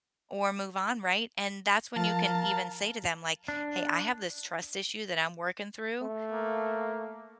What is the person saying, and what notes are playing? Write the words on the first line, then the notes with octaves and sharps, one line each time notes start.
or move on, right? And that's when you can even say to them, like, "Hey, I have this trust issue that I'm working through,
F3 A#4 F5 A5 A#5
D4
A3
A#3